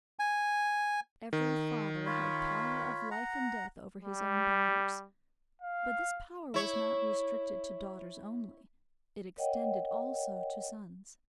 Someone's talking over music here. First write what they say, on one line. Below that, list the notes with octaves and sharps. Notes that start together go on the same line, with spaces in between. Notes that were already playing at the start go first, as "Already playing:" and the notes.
Every father had power of life and death over his own daughters: but this power was not restricted to daughters only; it extended also to sons.
G#5
D#3
F4 C#5 B5
F#5 A#5
G3
F5
E4 C#5
A#4 C#5 D#5 F#5 G5